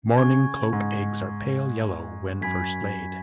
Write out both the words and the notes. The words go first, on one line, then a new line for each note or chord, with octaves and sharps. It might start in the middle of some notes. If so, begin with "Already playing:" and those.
Mourning cloak eggs are pale yellow when first laid.
C#3 G#5 C#6 G#6
G#2
F#2 G#5 B5 G#6 B6